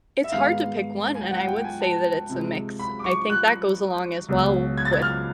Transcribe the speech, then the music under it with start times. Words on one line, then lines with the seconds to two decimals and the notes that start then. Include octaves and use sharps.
It's hard to pick one, and I would say that it's a mix, I think that goes along as well with
0.24 E5
0.32 G#2 D#3 G#3 B3 F5
1.15 G#5
1.23 G5
1.31 F#5
1.48 G5
1.64 G#5
1.81 A5
2.30 C3 F3 G#3
2.79 B5
2.99 D6
3.04 C#6
3.30 F#6
4.29 C#2 B2 F#3
4.78 G#6
4.85 A6
4.93 G#6
5.02 F6